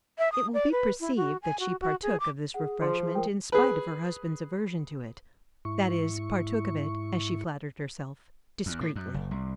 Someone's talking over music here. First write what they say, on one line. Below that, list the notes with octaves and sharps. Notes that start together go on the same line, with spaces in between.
It will be perceived that she partook of this refreshment in spite of her husband's aversion to it, that is partook of it, as she flattered herself, discreetly.
E5
D#6
D5
B4
E4
F#4
G#5
F#4
F#4
G#4
D6
G#4 F#5
F3 C6
G#4
A#4 G5
G#4 B4
G#2 E4 C#6
E2
A2
F#2
F#1
C2